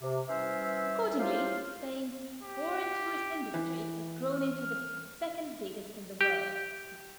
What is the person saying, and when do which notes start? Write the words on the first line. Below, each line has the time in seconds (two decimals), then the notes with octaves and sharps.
Accordingly, Spain's foreign tourist industry has grown into the second-biggest in the world.
0.01 C3
0.28 E3 G3 C#4 C5 E5
1.19 C#4 E4 F4 G4 C5 F5
2.42 G4
3.54 E3
4.33 F6
6.21 G4